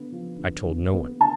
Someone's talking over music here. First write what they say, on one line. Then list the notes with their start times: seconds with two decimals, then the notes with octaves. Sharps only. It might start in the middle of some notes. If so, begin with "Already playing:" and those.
"I told no one."
Already playing: D3 B3
0.12 F3
0.39 D3
0.66 D3
0.93 B3
1.20 D3 A5